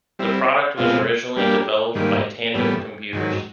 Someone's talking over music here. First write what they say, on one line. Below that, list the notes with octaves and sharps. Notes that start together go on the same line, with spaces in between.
The product was originally developed by Tandem Computers.
G3 C4 E4
B2 G#3 C4 F4
G3 A#3 D4 G4
G#2 D#3 G3 A#3
A2 E3 G3 B3
G#2 D#3 F#3